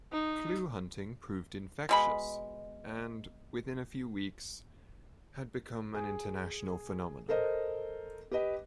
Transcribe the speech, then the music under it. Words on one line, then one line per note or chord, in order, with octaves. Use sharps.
Clue-hunting proved infectious and, within a few weeks, had become an international phenomenon.
D#4
B2 G#3 B5
G#4
A4 A#4 C5 D#5
G4 B4 D#5